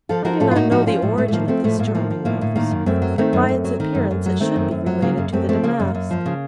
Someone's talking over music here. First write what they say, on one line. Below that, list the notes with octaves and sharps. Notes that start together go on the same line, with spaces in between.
I do not know the origin of this charming Rose, but by its appearance it should be related to the Damask.
F3 F4 A4
F3 F#4 A#4
A2 F4 A4
F4
A2 D#4 F#4
F3 D#4 F#4
F3 C#4 F4
A2
A2 A3
A3
F3 A#3
F3 A3 C4
A2 A3
A2 A#3
A3
F3 A#3
F3
A2 A#3
A2
D#3 A#3
F#2
F#2 A3 C4
F#3
D#3 A3 C4
F#2
F#2
F#3
D#3
F#2
F#2
F#3
D#3 A3 C4
F#2
F#2
F#3
C#3 A#3
F#2 A#3
F#2 A3 C4
F3 A3 C4
C#3 A#3
F#2
F#2
F3
C#3